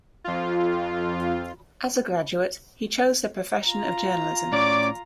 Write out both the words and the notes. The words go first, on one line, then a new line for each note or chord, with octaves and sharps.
As a graduate he chose the profession of journalism.
F2 F4
F4 A#5
A2 C#4 D5 C#6 D6